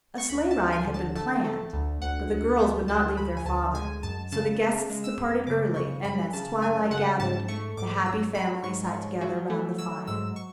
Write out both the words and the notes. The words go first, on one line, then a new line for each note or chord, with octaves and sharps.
A sleigh ride had been planned, but the girls would not leave their father, so the guests departed early, and as twilight gathered, the happy family sat together round the fire.
C#6
D2 B5
A5
D2
G#5
D3
A5
A3 A5
A3
D2
D2 F#5
D2
A3
D2 A5
A3 B5
G#5
D2 A5
G#3 G#5
F#2 A5
C#3 A5
C#3
G#3
E6
F#2
C#3 D6
C#3 C#6
F#2 B5
C#3 A5
F#2 G#5
C#3 F#5
G#2 A5
A3 C#6
G#2 D6
F#3 E6
F#3 B5
G#2 C#6
F#3
F#3
A3
F#3 E6
G#2 E6
C#6